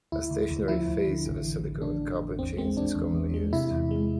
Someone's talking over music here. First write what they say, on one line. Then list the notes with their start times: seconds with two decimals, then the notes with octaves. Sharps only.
A stationary phase of silicon with carbon chains is commonly used.
0.12 D2 E4
0.31 D2
0.50 D2
0.68 F3 E4
0.87 D2
1.06 D3
1.26 A1
1.45 E3
1.64 E3
1.82 A2 D4
2.02 A1
2.20 A1
2.39 E2 C4
2.57 G#3 C4
2.76 E2 D4
2.96 E2
3.14 E2
3.34 G#3
3.53 C3 E4
3.71 E2
3.91 G#3